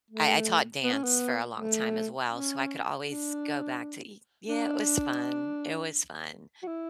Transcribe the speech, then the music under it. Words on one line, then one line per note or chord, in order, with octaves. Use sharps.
I I taught dance for a long time as well, so I could always go back to e yeah, it was fun. It was fun.
A3
B3
C#4
B3
A3
C#4
D4
D4
F#4
E4